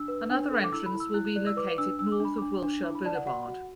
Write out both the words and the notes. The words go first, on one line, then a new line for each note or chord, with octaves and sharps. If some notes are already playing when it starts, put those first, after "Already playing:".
Another entrance will be located north of Wilshire Blvd.
Already playing: D4 E6
B4
D4
A4
D6
E4 E6
B5
E4
E6
E4 F#6
F#6
D5 F#6
E6
B4 D6
D4 E6
D4 E6
D6
D4 B5
D4 D6
D4
E4 D6
B5
D5 A5
F#5
F#4 F#5
F#4